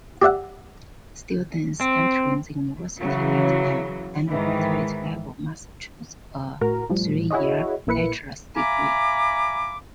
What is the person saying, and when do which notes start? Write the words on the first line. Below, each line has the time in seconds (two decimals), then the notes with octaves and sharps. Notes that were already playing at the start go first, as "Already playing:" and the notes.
Students entering the University at an undergraduate level must choose a three-year bachelor's degree.
0.22 G4 D5 E5 F#5
1.81 C4
3.00 C#3 E3 F#3
4.29 G#2 D#3 E3
6.61 A2 F#4 A#4 A#5
6.89 A2 F3 G3
7.31 E4 F#4 G#4 C#5 D#5
7.87 A#1 A#3 E4 B4 C#7
8.56 E5 F5 G#5 A#5 B5 D6